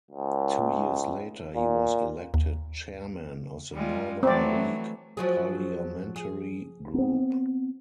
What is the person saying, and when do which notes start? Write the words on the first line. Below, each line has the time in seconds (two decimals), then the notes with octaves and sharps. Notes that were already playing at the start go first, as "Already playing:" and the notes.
Two years later, he was elected Chairman of the Northern League Parliamentary Group.
0.11 C#2
1.56 A#2
2.34 D#2
3.73 G3 G#3 F4
4.23 E3 F#3 A3 C4 D5
5.17 F3 F#3 G#4
6.16 G#4
6.94 B3 C4